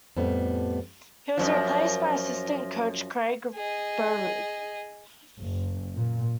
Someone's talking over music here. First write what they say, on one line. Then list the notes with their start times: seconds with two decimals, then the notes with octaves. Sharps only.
He was replaced by Assistant Coach Craig Berube.
0.17 F2 A2 G3 B3
1.37 F#2 A2 F3
3.55 G#4 D#5
5.39 F#1
5.95 A#2